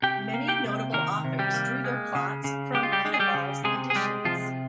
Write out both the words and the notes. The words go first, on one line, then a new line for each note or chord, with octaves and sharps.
Many notable authors drew their plots from Pitaval's editions.
C3 G4 G5
A#3
G4 G5
C3
D#3 A#3 A#4
C3
G3 G4
A#3
G#3
C#3
C#3
G#3 G4
F4
G3 G4
G#3
G#4
G3 G4
C#3
C3 G#3 G#4
G#4
G3 G#3 G4
C3 F3 F4